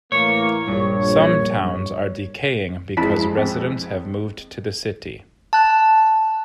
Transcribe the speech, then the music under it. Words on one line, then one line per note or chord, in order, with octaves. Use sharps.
Some towns are decaying because residents have moved to the city.
A2 E3 A#3 C#5
A#1 G2 C#5
F2 G#3 E4 A5 B6
C4
A5 F#6